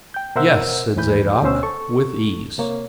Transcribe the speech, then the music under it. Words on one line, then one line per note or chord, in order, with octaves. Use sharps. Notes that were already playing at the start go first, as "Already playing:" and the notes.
"Yes," said Zadok, "with ease."
G5 G6
B2 A#4 C5 E5 F#5 E6
D#2 A2 E3 B4 G6
D2 B2 C#4 C5 E6
A4 C#6
C3 A#3 C#5